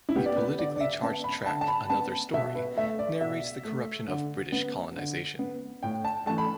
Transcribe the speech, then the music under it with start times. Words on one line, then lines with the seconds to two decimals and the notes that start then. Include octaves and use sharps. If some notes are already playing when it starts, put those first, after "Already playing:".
The politically charged track "Another Story" narrates the corruption of British colonization.
0.09 E4
0.16 B3 G4
0.26 D5
0.37 B4
0.59 D3 D5
0.76 D5
0.80 E5
1.03 B3 A5
1.24 B5
1.46 D3 A5
1.61 A5
1.68 B5
1.90 B3 A5
2.33 B2 E5
2.55 B4
2.77 A3 E5
2.99 D5
3.21 B2 E5
3.64 A3
4.08 D3
4.52 B3
4.96 D3
5.39 B3
5.83 A2 G5
6.05 A5
6.26 A3 A5
6.30 E3
6.38 B5